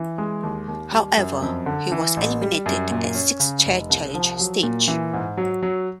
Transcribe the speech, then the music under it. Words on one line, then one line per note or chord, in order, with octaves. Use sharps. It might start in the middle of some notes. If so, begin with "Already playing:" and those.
However, he was eliminated at six chair challenge stage.
Already playing: E3
G#3
D#2
D#2
G3
F#2
F2
D3
E3
A1
G3
F#2
A#2
C#4
C#3
F1
C2
F3
F#3
A#2
E3
G#2
F#3
F#3